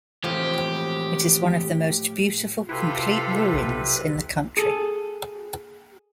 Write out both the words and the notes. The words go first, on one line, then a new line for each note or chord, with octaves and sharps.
It is one of the most beautiful complete ruins in the country.
A2 E3 F3 G#3 C4 G4
C3 E4 F4 A4 B4
B1
G#4 A4